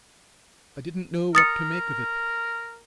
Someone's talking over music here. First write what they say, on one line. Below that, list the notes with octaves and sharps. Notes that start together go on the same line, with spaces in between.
I didn't know what to make of it.
A#4 D#6 A6 C#7